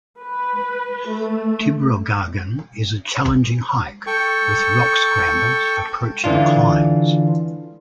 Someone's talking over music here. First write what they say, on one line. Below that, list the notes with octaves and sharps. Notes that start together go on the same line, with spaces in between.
Tibrogargan is a challenging hike with rock scrambles approaching climbs.
B4
A3
A4 G5 C#6
D3 E3 D4 F4